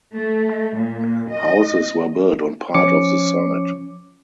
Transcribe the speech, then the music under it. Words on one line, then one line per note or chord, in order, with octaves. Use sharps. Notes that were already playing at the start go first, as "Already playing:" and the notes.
Houses were built on part of the site.
A3
A#2
D#5
F3 C#4 C#5 D6 C#7